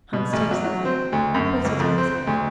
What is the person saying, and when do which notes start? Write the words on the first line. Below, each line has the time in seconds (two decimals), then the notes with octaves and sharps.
Hans takes the calf, and puts it on his head.
0.13 B2
0.33 A1
0.51 F#3
0.64 F#3
0.85 C4
1.12 D2
1.34 F#2
1.65 C#2
1.79 F2
1.98 C4
2.27 D2